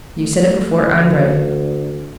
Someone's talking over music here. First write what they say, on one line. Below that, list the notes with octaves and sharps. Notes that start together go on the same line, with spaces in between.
You said it before Andrey.
A3
D2